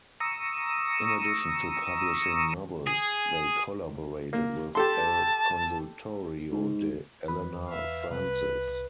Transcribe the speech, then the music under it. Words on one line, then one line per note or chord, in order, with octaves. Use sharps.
In addition to publishing novels, they collaborated with El Consultorio de Elena Francis.
A#5 C#6 D#6 E6
G#4
A#3
G4 A4 A5 C6
G#2
E2 B4
E5 F5
C2 B4